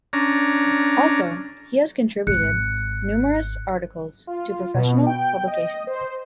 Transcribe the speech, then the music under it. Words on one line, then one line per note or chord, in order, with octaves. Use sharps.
Also he has contributed numerous articles to professional publications.
C#4 D4 A#5
G#1 F#6 C#7
F4
B2
G5
D#5
C5